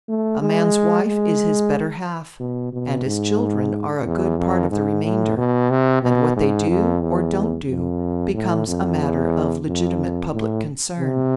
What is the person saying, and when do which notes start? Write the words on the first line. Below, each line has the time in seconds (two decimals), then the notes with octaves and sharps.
A man's wife is his better half and his children are a good part of the remainder, and what they do or don't do becomes a matter of legitimate public concern.
0.09 A3
0.41 G#3
1.08 G#3
2.40 B2
2.73 B2
3.06 G#2
4.05 E2
4.38 F2
4.71 G#2
5.03 A2
5.37 B2
5.70 C3
6.03 B2
6.36 G#2
6.69 F2
7.02 E2
7.68 F2
8.34 A2
8.68 F2
9.00 E2
9.67 F2
10.32 A2
10.99 C3